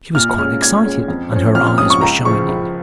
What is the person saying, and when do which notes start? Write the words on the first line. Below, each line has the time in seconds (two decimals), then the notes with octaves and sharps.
She was quite excited, and her eyes were shining.
0.15 A#2 F6
0.38 G#3 C#4 F6
0.61 A#2 G#6
0.85 G#3 C#4
1.08 F2
1.32 F3 C#4
1.55 F2 F6
1.67 F6
1.78 F3 C#4 D#6
1.90 C#6
2.01 C#2 A#5
2.25 C#3 F3 C#6
2.48 C#2